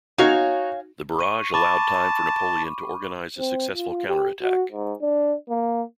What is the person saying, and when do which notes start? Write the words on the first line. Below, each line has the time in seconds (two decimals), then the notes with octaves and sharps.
The barrage allowed time for Napoleon to organize a successful counterattack.
0.18 D#4 F#4 C#5 F5 G#5
1.19 C#6 D#7
1.54 A5 B5 C#6 D6
3.39 C4
3.74 F4
4.07 G4
4.41 F#4
4.71 G#2
5.02 D4
5.49 A#3